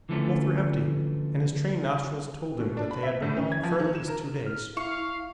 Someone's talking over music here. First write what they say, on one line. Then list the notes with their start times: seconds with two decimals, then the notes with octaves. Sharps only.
Both were empty, and his trained nostrils told him that they had been gone for at least two days.
0.09 D3 E3 F3 A3 C4 C#4
2.60 B2
2.77 D4
2.91 B5
3.03 E5
3.22 A2
3.36 C#4
3.52 G#6
3.63 F3
3.79 D#3
3.95 E7
4.08 A#4
4.46 F6
4.77 E4 F5 C#6